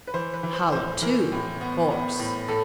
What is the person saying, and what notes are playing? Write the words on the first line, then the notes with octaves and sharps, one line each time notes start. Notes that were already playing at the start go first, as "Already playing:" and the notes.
"Hollow, too, of course?"
B4
E3 C5
B4
E3
C5
A2 C5
E3 A#4
A2
B3
B3
A2
A2 A4